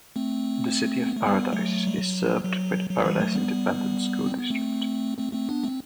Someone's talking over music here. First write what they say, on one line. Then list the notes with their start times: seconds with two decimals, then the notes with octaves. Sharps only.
The City of Paradise is served by the Paradise Independent School District.
0.16 A3 C4
1.06 B3
1.17 A3
1.26 G3 B3
1.52 F#3 A3
1.87 G3
1.98 F#3
2.44 F#3
2.90 F#3
3.04 E3 G3
3.20 F#3 A3
3.35 G3 B3
4.26 C4
4.39 B3
4.50 A3 C4
5.18 A3 C4
5.33 A3 C4
5.49 B3 D4
5.63 A3 C4